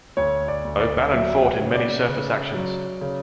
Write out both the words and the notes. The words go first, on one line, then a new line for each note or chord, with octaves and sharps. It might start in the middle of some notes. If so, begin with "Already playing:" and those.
"O'Bannon" fought in many surface actions.
D2 C#5
D5
D2
D5
F#3 E5
F#5
C#3
D5
C#3
F#3
C#3